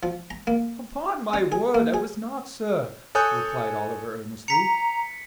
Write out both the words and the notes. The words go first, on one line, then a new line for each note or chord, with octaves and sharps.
'Upon my word I was not, sir,' replied Oliver, earnestly.
F3
A#5
A#3
C#4
G#4
A#3
G#4
A4 C#5 G#5 D#6 F#6 G6
A#5 B6 C#7